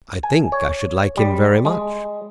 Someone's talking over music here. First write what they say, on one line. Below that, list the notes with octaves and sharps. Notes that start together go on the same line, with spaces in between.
"I think I should like him very much."
G#5
C#5
G3
G#3